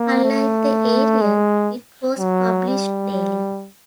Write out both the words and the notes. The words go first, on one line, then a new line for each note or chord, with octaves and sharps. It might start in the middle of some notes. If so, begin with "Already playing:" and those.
Unlike the "Ariel", it was published daily.
Already playing: A#3
A3
G#3
F#3
G3